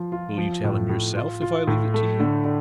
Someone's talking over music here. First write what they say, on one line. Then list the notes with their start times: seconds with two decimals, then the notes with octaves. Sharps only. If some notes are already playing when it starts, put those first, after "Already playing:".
"Will you tell him, yourself--if I leave it to you?"
Already playing: F3 F4
0.12 F4
0.38 F3
0.64 A2
0.89 A2
1.16 F4
1.42 F4
1.67 A2
1.94 A3
2.20 D3
2.45 D3